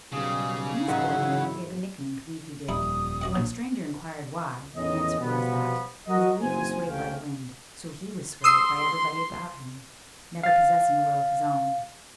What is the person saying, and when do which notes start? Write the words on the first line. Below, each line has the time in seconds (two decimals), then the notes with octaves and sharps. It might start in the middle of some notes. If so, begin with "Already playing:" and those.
In his boyhood he had been nicknamed Leafy Dick, and when a stranger inquired why, the answer was that, as a leaf was swayed by the wind, so he was swayed by everybody about him, never possessing a will of his own.
0.12 B1 G#2 C#3 G3 G#4
0.88 G#2 D#3 E3 F#3 C4 E4 F#5
2.69 D#1 F2 G3 D#4 E4 D#6
3.21 F#4 D#5 F#5
3.35 A#1
4.75 E2 A2 C#4 D#5
5.20 B2 F3 G3 B3
6.07 F#3 F#4 A#4 D#5
6.42 F#1 C4 C5 G#5
6.87 C#2 C3 A3 C#4 F5 G5
8.44 C6 D#6 E6 C7
10.43 F5 A6